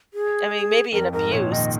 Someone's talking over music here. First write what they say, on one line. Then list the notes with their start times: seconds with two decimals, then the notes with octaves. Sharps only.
I mean, maybe an abuse.
0.14 G#4
0.92 F2 A#4
1.13 G#2 A#4
1.32 F2 A#2 C#5
1.52 A#2 D#3 D#5